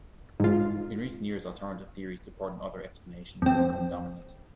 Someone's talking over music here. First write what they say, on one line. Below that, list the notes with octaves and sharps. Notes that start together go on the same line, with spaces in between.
In recent years, alternative theories supporting other explanations have become dominant.
G#2 F4
F2 C4